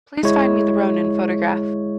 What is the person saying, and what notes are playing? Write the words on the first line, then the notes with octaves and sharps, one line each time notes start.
Please find me the Rounin photograph.
G#3 E4 C#5